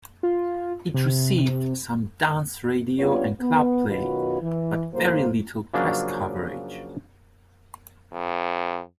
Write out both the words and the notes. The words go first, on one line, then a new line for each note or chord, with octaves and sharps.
It received some dance radio and club play, but very little press coverage.
F4
C3
G3 B3 C#4 D4 F4 C#5
B3
F#2 B2 D#3 F4 F#4 B4
E3
D#2 A2 C#3 F#3 A#3 C5
C#3 F3 F#3 A#3 C#4 D4
F2